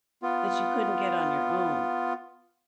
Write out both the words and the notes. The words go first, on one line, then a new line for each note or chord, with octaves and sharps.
that you couldn't get on your own.
B3 F4